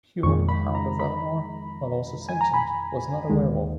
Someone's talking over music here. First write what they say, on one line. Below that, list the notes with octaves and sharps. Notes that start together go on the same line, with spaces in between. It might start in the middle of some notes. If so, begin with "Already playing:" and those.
Huan the Hound of Valinor, while also sentient, was not a werewolf.
F2 D#3 G#3 C#6
B5
A#5
B5
G#5
A#5
B5
D#2 D#3 G#3